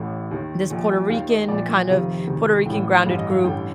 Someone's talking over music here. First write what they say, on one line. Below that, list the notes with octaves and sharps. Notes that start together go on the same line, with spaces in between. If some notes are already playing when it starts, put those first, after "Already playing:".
this Puerto Rican, kind of Puerto Rican grounded group
Already playing: A1 A2
D#2 D#3
A#1 A#2
D#2 D#3 F5
D#5
A#1 A#2 D5
F1 F2 C3 D#3 F5
D2 C3 D#3
A1 A2 G5
A1 G2 D3 F5
D#5
F5
A1 G2 D3 G5